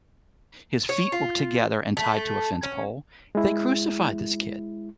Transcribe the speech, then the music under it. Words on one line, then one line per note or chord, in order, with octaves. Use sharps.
his feet were together and tied to a fence pole, they crucified this kid
C#5
F4
A3
C#4
G#3 E4